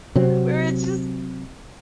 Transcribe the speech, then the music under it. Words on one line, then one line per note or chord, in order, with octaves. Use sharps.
we were just
C3 F#3 C4